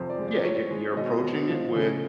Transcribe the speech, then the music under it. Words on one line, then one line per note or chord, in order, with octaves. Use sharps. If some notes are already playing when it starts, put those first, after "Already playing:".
Yeah, you you're approaching it with,
Already playing: F2 C3 F3 C5
D5
G#3
D5
C4 C#5
G#3
B2 D#5
B2
F3
C#3